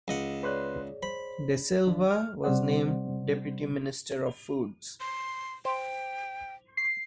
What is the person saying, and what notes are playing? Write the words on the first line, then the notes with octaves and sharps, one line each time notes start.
De Silva was named deputy minister of foods.
C#2 D#5 F#5
G#4 B4 C#5 D5 C6 F#6
C5 B5
D#3 D4
F6
C3 G3 C4 C5 D5 F#5
C6
C5 G5
C7